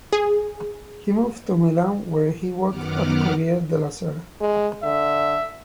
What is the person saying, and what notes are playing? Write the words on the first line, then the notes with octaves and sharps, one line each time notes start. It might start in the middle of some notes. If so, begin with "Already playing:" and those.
He moved to Milan where he worked at Corriere della Sera.
G#4
F#2 D#3 B3 F#5 D6 F6
G#3
D3 E5